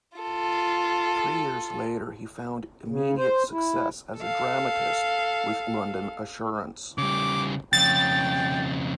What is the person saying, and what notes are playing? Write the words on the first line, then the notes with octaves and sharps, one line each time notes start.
Three years later he found immediate success as a dramatist with "London Assurance".
F4 A4
C#3
C5
E4
A4 F5
C#3 G3 D6
F2 C#3 G5 A6